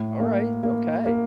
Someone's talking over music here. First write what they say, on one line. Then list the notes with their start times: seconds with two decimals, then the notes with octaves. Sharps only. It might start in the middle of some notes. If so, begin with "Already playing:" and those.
Alright, okay.
Already playing: A2
0.20 A#3
0.63 A#3
1.06 A#3